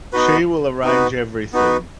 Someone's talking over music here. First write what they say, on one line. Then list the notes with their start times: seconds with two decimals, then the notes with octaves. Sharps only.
She will arrange everything.
0.12 B3 D#4 F#4 B4
0.83 B3 D#4 F#4 B4
1.53 B3 D#4 F#4 B4